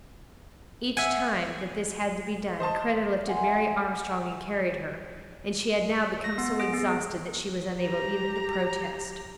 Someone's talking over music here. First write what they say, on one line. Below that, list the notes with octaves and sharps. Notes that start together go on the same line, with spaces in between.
Each time that this had to be done, Kreta lifted Mary Armstrong and carried her, and she had now become so exhausted that she was unable even to protest.
E5 F#5 G#5
C5 D#5 A5 C6
E5 F#5 G#5 C6
A#6
B3
G#4
B3
G4 A#5